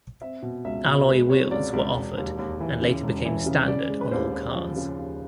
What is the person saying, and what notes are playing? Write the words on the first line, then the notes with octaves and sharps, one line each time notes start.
Alloy wheels were offered and later became standard on all cars.
C4 E5
B2
C#2 E5
B2
G#3 B4
C4 C#5
C#2 D5
C#2 D5
E1
D#2
D#2
E3
C#3
E1
E3
C#3
C#3 D5
G#3
B4
D#2 C5
D#2
F3
C#3
D#2